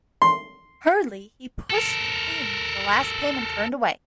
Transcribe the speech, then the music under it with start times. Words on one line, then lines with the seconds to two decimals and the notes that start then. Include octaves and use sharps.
Hurriedly he pushed in the last pin and turned away.
0.22 C6
1.70 A4 A#4